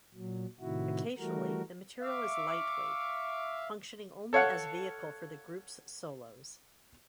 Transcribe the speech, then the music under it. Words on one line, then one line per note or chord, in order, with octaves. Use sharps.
Occasionally, the material is lightweight, functioning only as vehicle for the group's solos.
A#2 F#3
A2 C3 D#3 E4 F#4
E3 G3 A3 F#4 A#4
E5 F5 C#6 D6
A4 C#5 F5 F#5